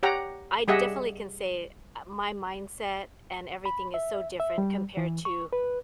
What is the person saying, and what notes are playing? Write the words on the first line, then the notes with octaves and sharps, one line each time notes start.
I definitely can say, uh, my mindset and everything is so different compared to
G4 C#5 F#5 G5 A#5
G3 G4 G#4 D#5 E5 F#5
B5
E5
E5
G3
E3
C#6
B4